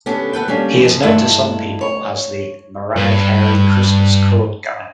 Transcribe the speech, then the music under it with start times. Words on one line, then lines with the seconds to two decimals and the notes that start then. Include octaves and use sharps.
He is known to some people as the "Mariah Carey Christmas chord guy".
0.06 B3 C#4 D4 G4 A4
0.33 B3 A4 B4 G5
0.48 G3 A#3 C#4 D4
0.85 E3 F3
1.03 G2 G#3 A3 E4 F4 E5
1.81 C#5
2.96 G2 B4